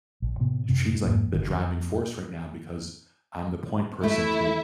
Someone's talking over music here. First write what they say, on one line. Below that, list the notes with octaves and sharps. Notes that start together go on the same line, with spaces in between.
She's like the driving force right now because I'm the point person to
A#1
A2 C3 B3
F#2 C3 C4
F2 G#2 F3 A#3
F#1 C#2 D#3
F2
A3 E4 E5